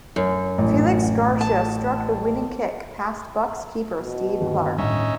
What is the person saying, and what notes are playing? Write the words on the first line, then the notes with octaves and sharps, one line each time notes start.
Felix Garcia struck the winning kick past Bucks keeper Steve Clark.
F#2
A1
A5
B2
G1 D#2
A2 G3 C#4 D#4 E5